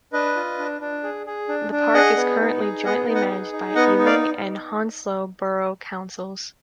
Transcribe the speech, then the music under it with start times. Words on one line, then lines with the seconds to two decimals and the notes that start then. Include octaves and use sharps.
The park is currently jointly managed by Ealing and Hounslow borough councils.
0.13 D4 B4 D#5
0.36 F4
0.59 D4
0.81 D4
1.03 G#4
1.26 G#4
1.48 D4
1.71 D4
1.94 G#4 D#5 F#5
2.17 B3
2.40 D#4
2.62 G#4
2.85 B3 D#5 F#5
3.07 D#4
3.15 D#5 F#5
3.30 G#4
3.53 D#4
3.75 B3 D#5 F#5
3.98 D#4
4.06 D5 F5